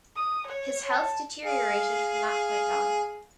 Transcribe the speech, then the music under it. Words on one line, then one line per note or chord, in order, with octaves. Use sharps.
His health deteriorated from that point on.
D#6
C#5
A5
G#4 F5